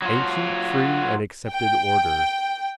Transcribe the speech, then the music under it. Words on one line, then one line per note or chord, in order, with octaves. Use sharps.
Ancient free and accepted order.
F#3 F4
G5